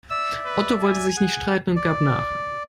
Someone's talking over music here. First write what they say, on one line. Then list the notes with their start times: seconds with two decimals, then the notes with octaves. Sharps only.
Otto wollte sich nicht streiten und gab nach.
0.11 D5 E5 E6
0.45 B4
0.81 G#5
1.17 G#4 F#5
1.76 D5